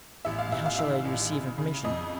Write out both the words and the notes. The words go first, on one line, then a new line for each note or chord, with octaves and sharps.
"And how shall I receive information?"
A1 E5
F5
A1 E5
F5
D#3 E5
A1
C#3
C#3
F2 D#5